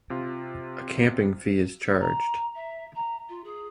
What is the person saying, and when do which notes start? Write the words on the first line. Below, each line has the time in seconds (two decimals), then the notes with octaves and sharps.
A camping fee is charged.
0.10 C3 F4
2.00 A#5
2.55 E5
2.95 A#5
3.29 F4
3.44 G#4